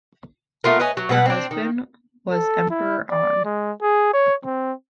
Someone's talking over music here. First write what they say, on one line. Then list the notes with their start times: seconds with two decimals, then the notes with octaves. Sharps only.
Her husband was Emperor An.
0.64 A3 B3 F4 A#4
0.79 B4 C#5 D#5 G#5
0.97 F#3
1.09 B2 F#3 B4 F#5
1.26 C4 D4
1.51 D#3
2.31 A4
2.71 E4
3.11 D5
3.45 G#3
3.82 G#4
4.13 C#5
4.45 C4